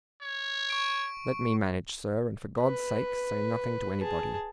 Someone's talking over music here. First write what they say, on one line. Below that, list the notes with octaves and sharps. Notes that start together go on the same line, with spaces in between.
Let me manage, sir; and for God's sake, say nothing to anybody.
C#5
C#6 D7
B4
G#4 A5